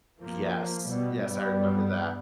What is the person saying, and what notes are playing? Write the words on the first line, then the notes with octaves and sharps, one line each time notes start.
Yes. Yes, I remember that.
F3 A#3
B2 G3
G2 G3 B3